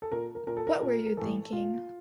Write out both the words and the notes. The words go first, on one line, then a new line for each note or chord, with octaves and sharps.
What were you thinking?
A4
A#2 A#4
A#4
A#2 A#4
A4
A#4
A#2
A#4
A2 E3 A4
A#2 F4